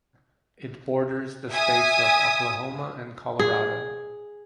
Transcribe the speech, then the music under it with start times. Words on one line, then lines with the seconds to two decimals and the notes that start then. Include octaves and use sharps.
It borders the states of Oklahoma and Colorado.
1.50 E5 G#5 D#6
3.39 G#4